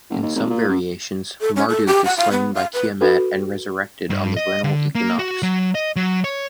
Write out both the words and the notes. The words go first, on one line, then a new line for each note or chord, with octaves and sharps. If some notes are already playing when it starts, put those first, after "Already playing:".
In some variations, Marduk is slain by Tiamat and resurrected on the vernal equinox.
F#1
D#2
G#1
A#2
F#2
A4
C#4
A4
G4
F#5
F5
B3
F5
B4
D4 F#4 A4 B4
G2
D#5
D3
A#3
F#4
F#3
D#5
F#3
C#5